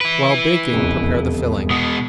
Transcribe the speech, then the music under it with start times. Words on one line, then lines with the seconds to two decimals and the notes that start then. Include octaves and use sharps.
While baking prepare the filling.
0.01 E4 B4 D7
0.71 E1 F2 C#3
1.71 B2 G#3 D#6